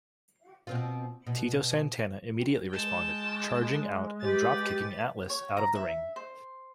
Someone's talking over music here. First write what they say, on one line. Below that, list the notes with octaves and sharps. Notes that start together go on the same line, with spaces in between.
Tito Santana immediately responded, charging out and dropkicking Atlas out of the ring.
B2 C4 F4
B2
G#3 G5 A5
G4 B4 A6
C#5
A#5
E5
C5